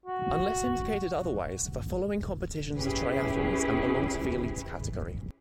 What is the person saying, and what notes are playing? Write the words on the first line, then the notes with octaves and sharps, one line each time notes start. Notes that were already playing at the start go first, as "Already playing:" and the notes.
Unless indicated otherwise, the following competitions are triathlons and belong to the "Elite" category.
F#4
C#4 E4 G4 G#4 B4